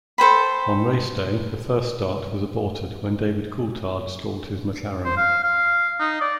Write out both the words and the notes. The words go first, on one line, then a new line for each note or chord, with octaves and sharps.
On race day, the first start was aborted when David Coulthard stalled his McLaren.
A4 C5 G5 B5
C5
F5
F5
D#4
D5